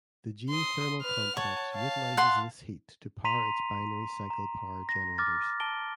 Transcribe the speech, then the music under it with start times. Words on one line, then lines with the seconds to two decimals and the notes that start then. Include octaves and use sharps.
The geothermal complex utilizes this heat to power its binary cycle power generators.
0.50 C6 D#6
1.02 B4 F6
1.37 C#5 F#5 A5
1.73 F5 A5
2.17 F#5 C6
3.25 A#5 C6 B6 D#7 F7
4.30 A#5
4.89 A#6
5.18 D6 F6 A6
5.60 A5 D7 G7